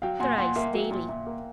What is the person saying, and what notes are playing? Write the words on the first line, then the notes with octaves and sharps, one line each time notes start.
Thrice daily.
F#3 F5 G5
A#2 F#5 G#5
A#2 F#5 G#5
A#3 E5
F#3 E5
A#2
A#2 E5
A#3